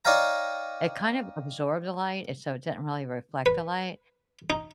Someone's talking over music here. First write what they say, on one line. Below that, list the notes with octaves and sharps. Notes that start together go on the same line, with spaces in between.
It kind of absorbed the light, it so it didn't really reflect the light,
D#4 C#5 D5 F5 G5 A#5
B4
D#4